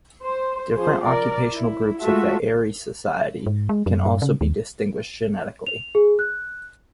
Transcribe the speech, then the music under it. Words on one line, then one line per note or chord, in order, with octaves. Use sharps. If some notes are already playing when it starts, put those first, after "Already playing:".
Different occupational groups of the Aari society can also be distinguished genetically.
C5
F3 C#4 G#4 C5
A#4 D5
E4
G#3 A3 F4 F#4 A4 E5
G#2
G#3
F#2
G2
C#3
D#2
F7
G#4
F#6